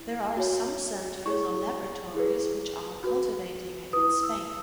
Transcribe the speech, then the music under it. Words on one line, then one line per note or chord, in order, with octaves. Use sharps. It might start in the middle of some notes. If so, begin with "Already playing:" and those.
There are some centers or laboratories which are cultivating it in Spain.
Already playing: E4
F#4 C#5
E4 G#4 C#5 C#6
E4 G#4 B4
F#4 B4
E4 B4 D#6
E6